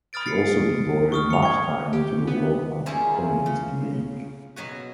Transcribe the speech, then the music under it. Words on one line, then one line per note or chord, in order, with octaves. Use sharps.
She also devoted much time to the World Anti-Communist League.
B5 D#6 F6 A6 D7
A6 C7 C#7
C#6 D#6 F6
C#7 F7
C#6 G#6
G4
B3
G3 A#3 C#4 E4 F4 G#4
C#3
B2 F#3 B3 F#4